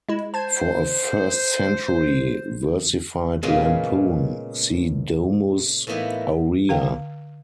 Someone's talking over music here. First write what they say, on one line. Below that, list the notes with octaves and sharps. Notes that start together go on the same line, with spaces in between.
For a first-century versified lampoon, see Domus Aurea.
G#3 E4
C5 A5 G#6
A#2 C#3 G#3 B3 F4
A2 E3 A#3 B3 D#4 E4
D3 F5 G5